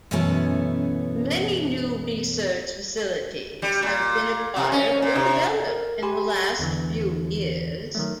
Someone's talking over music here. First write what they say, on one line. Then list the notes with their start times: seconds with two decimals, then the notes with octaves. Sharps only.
Many new research facilities have been acquired or developed in the last few years.
0.11 F#2 B2 E3 A3 B3 C#4
3.62 G3
3.83 A#2
4.56 C3
4.72 C#4
5.02 A#2
5.15 C3
5.67 A#4
6.03 G4 G#5 B5 C6
6.59 E2 D3 E3
7.95 D#3 F#3 A3